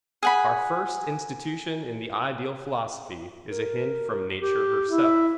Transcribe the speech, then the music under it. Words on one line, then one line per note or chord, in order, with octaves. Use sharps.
Our first institution in the Ideal philosophy is a hint from nature herself.
G#4 F#5 B5
A#4
G4
E4
E5